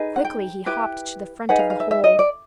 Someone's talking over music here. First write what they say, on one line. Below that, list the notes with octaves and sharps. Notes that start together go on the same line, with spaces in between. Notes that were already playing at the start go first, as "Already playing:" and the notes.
Quickly he hopped to the front of the hole.
Already playing: D#4 G#4 B4
F#5
G5
E4 G4 B4
D#4 G#4 B4 F#5
F5
F5
E5
E5
D#5
D5